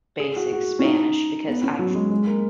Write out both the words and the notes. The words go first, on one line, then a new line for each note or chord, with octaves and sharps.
basic Spanish because I
G#4
F#4
F#4
C#4
D#4
B3
C#4
F#3
G#3
G#3
A#3